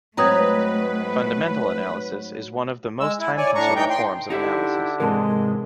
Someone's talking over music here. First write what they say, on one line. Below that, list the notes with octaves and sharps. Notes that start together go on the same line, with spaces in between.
Fundamental analysis is one of the most time consuming forms of analysis.
G#2 F#3 A3 C4 B4 A#5 D#6 G#6
G#3 E6
E4
C#5 D5 G#5
A2 D4 A#5 C#6
E3 D#4 G5 A#5 G6
G5 C6
D3 D#4 E4 G4 E5
G#2 C3 E3 G#3 A#4 A5